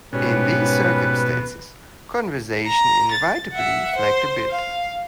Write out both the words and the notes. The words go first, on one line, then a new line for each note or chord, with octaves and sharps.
In these circumstances, conversation inevitably flagged a bit.
G#2 B2 G3 C#4 B4
A#5
A6
E5 F#5
C5
F5